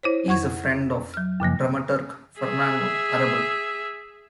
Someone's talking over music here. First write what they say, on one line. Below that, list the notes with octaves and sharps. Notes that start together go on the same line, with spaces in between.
He is a friend of dramaturg Fernando Arrabal.
E4 C5 C#5
F2 F#5 C#6 G#6
F#3 F6
F#2 C#3 F3 A#3
G#4 E5